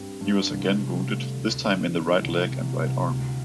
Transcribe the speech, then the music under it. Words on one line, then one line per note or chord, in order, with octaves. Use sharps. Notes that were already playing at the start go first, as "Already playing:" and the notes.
He was again wounded, this time in the right leg and right arm.
Already playing: G2 G3 C4
G2
C2
C3
A3
D2
D3
E4
C2
C3
C2
D2